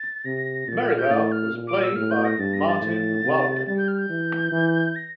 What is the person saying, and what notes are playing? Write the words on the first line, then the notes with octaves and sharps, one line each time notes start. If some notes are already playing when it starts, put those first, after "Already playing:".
Merrivale was played by Martin Wyldeck.
Already playing: A6
C3 A#6
A#2 A6
F6
G6
A2 A6
F6
A#2
D6
E6
A2 F6
G6
A#6
G2 A6
A#6
A6
A2
C3
G3 A6
G6
F6
G6
E3
E3
A#6